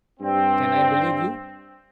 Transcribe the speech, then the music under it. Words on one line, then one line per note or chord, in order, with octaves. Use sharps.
"Can I believe you?"
G2 C4